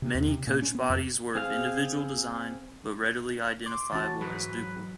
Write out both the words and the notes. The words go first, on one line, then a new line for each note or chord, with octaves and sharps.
Many coach bodies were of individual design, but readily identifiable as Duple.
C3
D#2
C3
A#2
C#4
B3
F2
C4 G#4 F5
C6 D6
E3 C#4 F#4 A5
G#2 F#3 B4